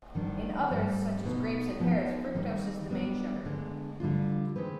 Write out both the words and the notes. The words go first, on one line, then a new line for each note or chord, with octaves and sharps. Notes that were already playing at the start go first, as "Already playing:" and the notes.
In others, such as grapes and pears, fructose is the main sugar.
D#3 G3 D4
G#2 G3 C4
B2 B3 D#4
F3 G#3 B3 D#4
D#3 G3 C4
D#3 G3 B3 D4
D3 G#3 B3 D4
D3 G3 D4 F4
D#3 G#3 C4 G4 B4